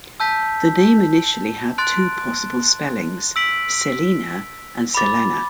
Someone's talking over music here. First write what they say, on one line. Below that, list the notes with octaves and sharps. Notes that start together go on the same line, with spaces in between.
The name initially had two possible spellings: Selina and Selena.
A5 E6 G6 B6
C6 F#6 A6 D7
E6 B6 D7 F#7
B5 D6 A6